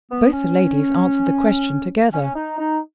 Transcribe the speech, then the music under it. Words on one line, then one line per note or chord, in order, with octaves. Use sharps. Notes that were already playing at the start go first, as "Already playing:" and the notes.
Both the ladies answered the question together.
B3
C#4
C#4
D#4
D#4